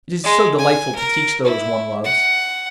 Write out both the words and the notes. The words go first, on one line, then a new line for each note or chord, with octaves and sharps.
It is so delightful to teach those one loves!
G#3
G#5
A#4
E4
F#5